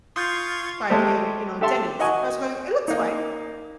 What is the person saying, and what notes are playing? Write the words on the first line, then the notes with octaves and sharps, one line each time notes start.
by a, you know, Denny's. I was going, "It looks fine."
F4 C6 C#6 D#6 G6 G#6
G#3 A3 G4 C5
G4 A4 E5 A5 C6
F#4 D#5 F#5 G#5 C#6
A#3 D#4